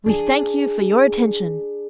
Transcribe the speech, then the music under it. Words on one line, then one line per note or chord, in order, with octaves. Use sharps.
"We thank you for your attention!"
D4 G#4